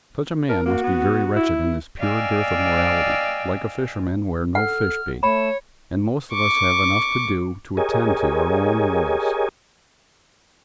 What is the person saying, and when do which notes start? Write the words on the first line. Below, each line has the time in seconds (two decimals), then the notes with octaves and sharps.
Such a man must be very wretched in this pure dearth of morality; like a fisherman where no fish be; and most of us have enough to do to attend to our own morals.
0.49 A#4 A5
0.66 A#3 F#4
0.83 B3
1.36 E4
1.99 D5 D#5 F5 G5 G#5 E6
4.55 A4 F#5 F6
5.23 A3 C#5 B5 E7
6.33 C#6 D6
7.77 G4 G#4 A#4 C#5 D#5 G#5